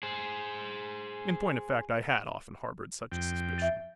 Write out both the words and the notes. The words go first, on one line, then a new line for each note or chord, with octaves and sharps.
In point of fact, I had often harbored such a suspicion.
G#4 C5
F2 G5
E5 A6